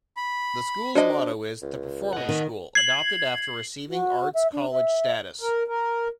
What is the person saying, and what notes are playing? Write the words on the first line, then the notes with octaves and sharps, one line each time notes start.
The school's motto is "The Performing School", adopted after receiving Arts College status.
B5
D4 F#4 C5 D#5 A5
C#2
D#5 F#5
D#3
G#6 C7 F#7
F#4
E5
D4
E5
A#4
A#4